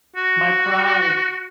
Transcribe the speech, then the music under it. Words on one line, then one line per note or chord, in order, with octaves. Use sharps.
My Pride!
F#4